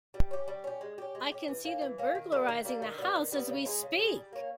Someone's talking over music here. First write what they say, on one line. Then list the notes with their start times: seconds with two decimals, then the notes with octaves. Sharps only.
I can see them burglarizing the house as we speak!.
0.14 G3
0.31 C#4 G4
0.48 G3
0.64 C#4 G4
0.81 G#3
0.98 C#4 G4
1.15 G#3
1.32 C#4 G4
1.48 E3
1.65 A#3 C#4
1.82 E3
1.98 A#3 C#4
2.15 D#3
2.32 G3 A#3
2.49 D#3
2.65 G3 A#3
2.82 D#3
2.98 G3 B3
3.16 D#3
3.32 G3 B3
3.49 C#3
3.65 G#3 D#4 G#4
3.83 C#3
3.99 G#3 D#4 G#4
4.16 G3
4.33 A#3 C#4